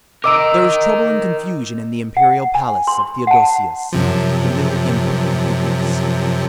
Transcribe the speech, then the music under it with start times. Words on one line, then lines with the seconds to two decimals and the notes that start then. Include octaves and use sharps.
There was trouble and confusion in the imperial palace of Theodosius the Little, Emperor of the East.
0.24 A#4 D#5 A#5 D6 E6 D7
2.17 F#5
2.55 G#5
2.87 C6
3.27 F#5 A5
3.93 F#2 C3 F3